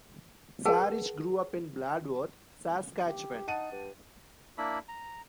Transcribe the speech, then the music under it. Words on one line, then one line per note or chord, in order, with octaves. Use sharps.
Sarich grew up in Bladworth, Saskatchewan.
G#4 A#4 B4 F#5 G5 A5
G4
D#4 F#5 A5 D#7
G2
A#3 D4 E4 B5
A#5